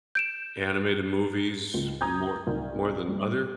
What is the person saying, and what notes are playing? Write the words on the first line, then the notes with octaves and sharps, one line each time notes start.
animated movies more more than other?
G6 D7 E7
C#2
A#5 D#6 G6 G#6
C2 D#4
G3